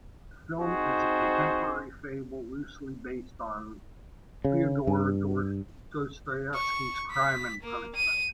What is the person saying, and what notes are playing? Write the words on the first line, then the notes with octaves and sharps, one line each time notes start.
The film is a contemporary fable loosely based on Fyodor Dostoyevsky's "Crime and Punishment".
C4 D#4 F#4 G#4 C5
C#3
G2
C#6
B6
A#3
D#7